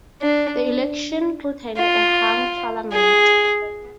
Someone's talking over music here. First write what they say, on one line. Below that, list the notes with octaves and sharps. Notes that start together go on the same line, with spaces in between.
The election returned a hung parliament.
D4
F4
G#4